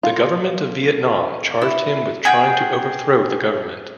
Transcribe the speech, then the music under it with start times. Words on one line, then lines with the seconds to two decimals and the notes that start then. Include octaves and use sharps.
The government of Vietnam charged him with trying to overthrow the government.
0.03 F4
1.62 E4
2.25 G#4 F#5 G5